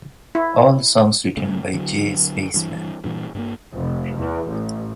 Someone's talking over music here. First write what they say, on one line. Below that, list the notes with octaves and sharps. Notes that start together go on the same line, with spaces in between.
All songs written by J Spaceman.
E4
F#2 C#3 A3
D3 F#3
G2 E3
G2 A#2 C#3 E3
G2 G#3 A#3
F1
E2
A1